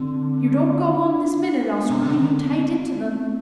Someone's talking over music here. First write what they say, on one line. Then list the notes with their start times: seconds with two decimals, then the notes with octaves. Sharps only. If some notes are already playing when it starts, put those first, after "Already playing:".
If you don't go home this minute I'll screw you tight into them.'
Already playing: D3 C4
0.83 D4
1.70 G#3
1.80 B3
1.89 C3 C4
2.03 D3
2.16 D#3
2.30 D3